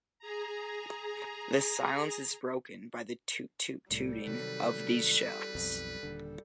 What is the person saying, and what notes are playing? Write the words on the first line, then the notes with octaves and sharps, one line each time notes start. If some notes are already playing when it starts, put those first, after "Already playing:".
The silence is broken by the toot-toot-tooting of these shells.
G#4 A#5
C2 A2 G3 A4
C3 D#3 F#3 B4
B1 F2
D#1 D3